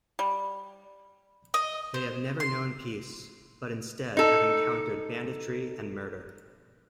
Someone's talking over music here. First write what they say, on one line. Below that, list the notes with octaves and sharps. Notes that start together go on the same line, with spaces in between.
They have never known peace, but instead have encountered banditry and murder.
G3
D#5
C5
C6
D#4 A4